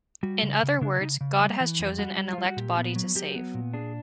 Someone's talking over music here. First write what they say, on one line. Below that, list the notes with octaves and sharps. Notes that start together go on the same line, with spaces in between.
In other words, God has chosen an elect body to save.
G3 F#4
C#3
C#3
C#3 D4
C#3 D#4
C#3
G3
E3
F2
G3 F#4
G3
G3 F4
F#4
A#2 G4
B3
F#3
F#3 G4
B3
A#2
D4 G#4